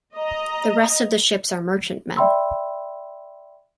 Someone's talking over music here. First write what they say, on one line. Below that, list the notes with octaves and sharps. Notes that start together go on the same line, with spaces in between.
The rest of the ships are merchantmen.
D#5 A#5
D5 E5 G5 B5 C6 E6